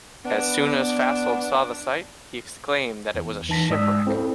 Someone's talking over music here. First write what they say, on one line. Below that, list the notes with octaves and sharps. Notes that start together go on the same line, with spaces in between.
As soon as Fasold saw the site, he exclaimed that it was a shipwreck.
B3 D4
E2
E3 D#4 A5 A#6 B6
G#2 G#3 D5 D#6 E6
C4 E4 A4 C5